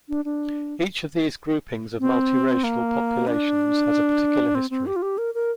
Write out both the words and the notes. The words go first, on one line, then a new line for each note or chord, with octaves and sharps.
Each of these groupings of multiracial populations has a particular history.
D4
D4
C4
A#3
D4
C4
C4
G4
F4
G4
A#4
A#4